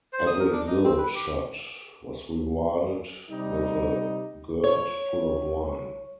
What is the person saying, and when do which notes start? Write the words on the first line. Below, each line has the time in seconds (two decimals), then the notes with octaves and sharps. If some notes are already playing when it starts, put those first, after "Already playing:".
Every good shot was rewarded with a gourd full of wine.
0.13 C5
0.27 D#6
0.40 A#4
0.52 D4
0.67 D#4
0.84 C4
0.98 B4
1.15 G4
3.30 C3 G3 D#4
4.64 C#5